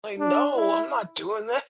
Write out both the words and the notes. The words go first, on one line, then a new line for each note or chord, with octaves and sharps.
Like, "No, I'm not doing that."
D4
E4